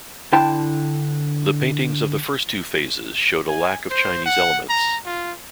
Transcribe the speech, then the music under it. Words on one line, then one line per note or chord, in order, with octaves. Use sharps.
The paintings of the first two phases showed a lack of Chinese elements.
D3 D4 E4 G5 A5 C6
G#5
C5
F#5
A#5
F4